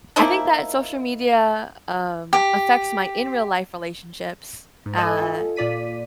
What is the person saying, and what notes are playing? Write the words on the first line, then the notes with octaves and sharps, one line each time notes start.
I think that social media, um, affects my in real life relationships, uh,
F3 A#3 D#4 E4
G4
G#2
A4 D#5 G#5 A5
F4 A4
A#2 F4 D5 B6 D#7